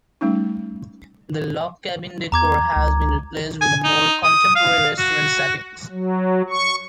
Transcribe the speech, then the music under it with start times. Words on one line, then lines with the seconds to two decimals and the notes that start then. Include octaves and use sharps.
The log cabin decor has been replaced with a more contemporary restaurant setting.
0.21 G3 A3 C#4 D#4
2.32 E2 A#5 D6 G#6
2.76 C#2
3.61 G#5
3.84 D#4
4.23 D#6
4.55 F5
4.98 F#4
5.92 F#3
6.50 C#6